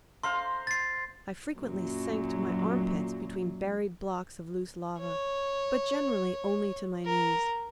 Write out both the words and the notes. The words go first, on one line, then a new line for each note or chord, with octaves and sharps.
I frequently sank to my armpits between buried blocks of loose lava, but generally only to my knees.
C5 F5 A#5 C6
A6 C7
F#2 A#2 F#3
C#5
A#4